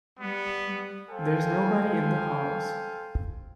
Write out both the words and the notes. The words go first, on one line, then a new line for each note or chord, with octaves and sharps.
There's nobody in the house.
G3 B3
A4 C5 F5 G5 G#5